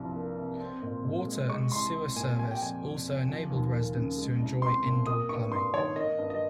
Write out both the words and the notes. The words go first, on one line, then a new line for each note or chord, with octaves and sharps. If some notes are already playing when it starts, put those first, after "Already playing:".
Water and sewer service also enabled residents to enjoy indoor plumbing.
Already playing: C2 G2 F3
A#3
C3
C4
A#2
A#2
G#3
G#3 C#6
C2 C6
C4
A#2 G#5
G3 G#5
G5
F2 G#5
F2
C3
F3
D#2
A#3
C#3
G#3
C2
C4 C6
A#2
A#3 D#6
G2 C#6
G2 C6
D#3 C#5
A#3 D#5
G2
D#5